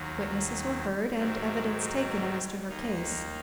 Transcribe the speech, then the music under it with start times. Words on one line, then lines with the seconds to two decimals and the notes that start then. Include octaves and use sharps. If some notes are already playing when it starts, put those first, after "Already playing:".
Witnesses were heard and evidence taken as to her case.
Already playing: D#2 D#3 F#3
1.16 G#2 D#3 F#3 C4
2.69 D#2 D#3 A#3 D#4